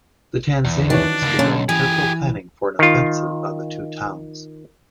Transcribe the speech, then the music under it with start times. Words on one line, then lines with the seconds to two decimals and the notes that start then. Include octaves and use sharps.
The Tanzanians began careful planning for an offensive on the two towns.
0.65 E2
0.90 D#3 E3 D4 F#4 C#5
1.22 C#2 A#3
1.39 B1 D3 A#3 C#4
1.69 E3 G4 G#4 G#5
2.79 D#3 F4